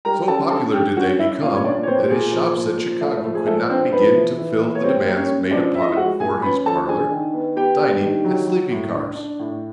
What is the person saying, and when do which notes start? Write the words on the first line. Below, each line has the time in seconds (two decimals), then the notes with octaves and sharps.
So popular did they become, that his shops at Chicago could not begin to fill the demands made upon it for his parlor, dining, and sleeping cars.
0.05 G3 A#4 A#5
0.28 C#4 A4 A5
0.50 D3 A4 A5
0.73 D3 G4 G5
0.97 C#4 F#4 F#5
1.19 C#4 E4 E5
1.42 A#2 F4 F5
1.56 C#5
1.64 A#2 D4 D5
1.83 C#5
1.87 A#2 C4 C5
2.03 G4
2.10 A#2 G#4
2.32 F3
2.56 A#2
2.78 F3
3.01 A3
3.24 F3
3.35 G#4
3.46 F3 A3 A4
3.69 C4 D4 C5
3.92 F3 B3 B4
4.15 E3
4.38 E3
4.60 A#3
4.75 C#5
4.83 G3 C4 C5
5.06 A#3
5.17 C#4 C#5
5.28 C#4
5.51 F3 D4 D5
5.75 F3 E5
5.81 D#5
5.88 E4 E5
5.97 G#3 F#4 F#5
6.20 A#2 G#4 G#5
6.42 C#4 B4 B5
6.66 F3 A4 A5
6.88 D4 G#4 G#5
7.11 D#3
7.33 B3
7.56 B3 G4 G5
7.80 D4
8.02 D#3
8.24 F#3
8.47 F#3
8.71 A2
8.93 D4
9.15 D4
9.39 A2